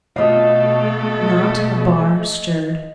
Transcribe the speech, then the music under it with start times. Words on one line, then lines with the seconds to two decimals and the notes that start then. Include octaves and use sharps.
Not a bar stirred.
0.16 B2 A3 A4 D#5 F5